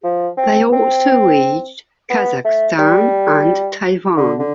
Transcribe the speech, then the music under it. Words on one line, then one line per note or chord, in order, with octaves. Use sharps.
They also reach Kazakhstan and Taiwan.
F3
C4
C4
B3
A3
G3
D3
D3